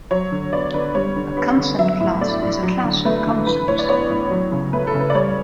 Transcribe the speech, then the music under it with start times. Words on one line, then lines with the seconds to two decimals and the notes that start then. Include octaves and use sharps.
A concept class is a class of concepts.
0.11 F#3 C#5
0.32 D3
0.53 B3 D5
0.74 D3 B4
0.95 G3 C#5
1.16 D3
1.37 B3
1.58 D3
1.79 F#3 E5
2.01 A2
2.21 A3 D5
2.42 A2
2.63 F#3
2.84 D3
3.05 A3 B4
3.27 D3
3.47 E3 B4
3.68 A2 C#5
3.79 D5
3.89 B3 C#5
4.10 A2
4.31 F#3
4.52 C#3
4.73 A3 B4
4.87 A4
4.94 C#3
5.00 B4
5.10 D5
5.15 G3 C#5